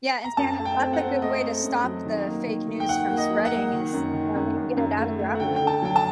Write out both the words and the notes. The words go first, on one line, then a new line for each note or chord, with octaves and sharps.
Yeah, and spam it that's a good way to stop the fake news from spreading is, you know, when you get it out of your algorithm.
A#5
F#2 A5
A3
G5
C4
F#5
C4
A3 D#5
A3
F#2
F#3
D#3
A#3
D#3
D#3
G5
D#3 F#5
A#3
D#5
F#3
F#5
A#3
D#3
F#2
D#3
F#2
F#2
F#2
A3
A3
F#5
D3 G5
D3 G5
A5
F#3 G5
A5